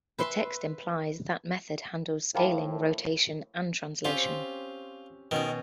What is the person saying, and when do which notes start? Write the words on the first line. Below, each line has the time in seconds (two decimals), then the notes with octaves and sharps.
The text implies that method handles scaling, rotation, and translation.
0.18 B4 E5 C6
2.35 A2 F3 A#3 D#4 E4 B4 G5
4.05 C4 C#4 F4 G4
5.31 B2 D#3 C#4 F#4